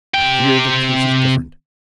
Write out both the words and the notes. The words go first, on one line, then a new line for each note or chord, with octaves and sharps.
But here the case is different.
C3 G5